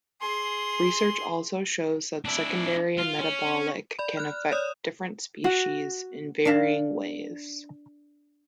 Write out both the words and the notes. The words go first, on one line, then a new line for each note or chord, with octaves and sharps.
Research also shows that secondary metabolic can affect different species in varying ways.
G#4 C6
D4 E4
F4
C#4
D5 B5
F6 F#6
C#5 D5 D#6
F#4
D4 D5 F5 A5